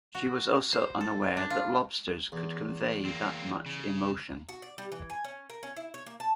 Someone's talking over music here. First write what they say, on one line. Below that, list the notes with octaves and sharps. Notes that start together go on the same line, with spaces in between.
She was also unaware that lobsters could convey that much emotion.
F#4
C5
A4
D4
F4
E2
A#3 C4
C#3
F#4
D5
G3
E3
G#5
C#4
A#4
C#4
E4
C#5
A#3
A5